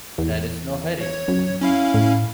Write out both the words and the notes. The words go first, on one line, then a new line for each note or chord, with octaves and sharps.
There is no hurry.
E2
C#5
F#2
C#4 E4 F5
A2